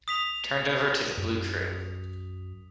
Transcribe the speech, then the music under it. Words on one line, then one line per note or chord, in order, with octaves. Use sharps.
Turned over to the Blue Crew.
D#6 B6 F7
F#2